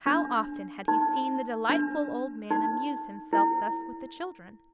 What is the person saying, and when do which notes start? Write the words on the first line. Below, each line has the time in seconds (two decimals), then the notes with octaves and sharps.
How often had he seen the delightful old man amuse himself thus with the children!
0.06 D4
0.88 D#4
1.69 D4
2.51 D#4
3.33 E4